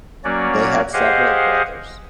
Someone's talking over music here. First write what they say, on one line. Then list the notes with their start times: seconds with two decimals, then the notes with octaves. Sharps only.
They had several brothers.
0.24 F#3 A#3 C#4 F#4 C#5 D5
0.93 G4 G#4 C5 D#5 F5 F#5